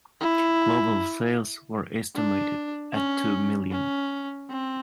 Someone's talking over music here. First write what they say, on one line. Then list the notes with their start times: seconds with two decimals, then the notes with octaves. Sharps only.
Global sales were estimated at two million.
0.21 E4
2.15 D4
2.93 C#4
3.71 C#4
4.50 C4